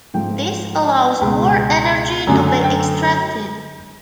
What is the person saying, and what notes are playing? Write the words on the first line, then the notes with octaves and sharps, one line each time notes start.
This allows more energy to be extracted.
G#2 F3 A3 G5
C#2 B2 G#3 G5
F#2 D3 F#3 A3 G#5
G#5
G5